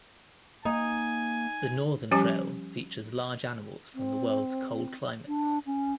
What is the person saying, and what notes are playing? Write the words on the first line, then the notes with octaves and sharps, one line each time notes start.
The Northern Trail features large animals from the worlds cold climates.
A#3 D#4 G#5
F3 G3 C#4 G4 G#5
C4
D4
C#4